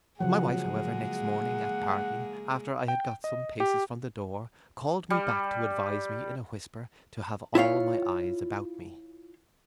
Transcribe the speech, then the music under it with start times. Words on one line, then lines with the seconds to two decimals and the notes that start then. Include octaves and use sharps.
My wife, however, next morning, at parting, after I had got some paces from the door, called me back, to advise me, in a whisper, to have all my eyes about me.
0.20 C#3 F3 F#3 G#3 A#3 G#4 F#5
2.88 G5
3.24 D#5
3.60 G4
5.10 G3
7.55 E4 F4 C#5 F5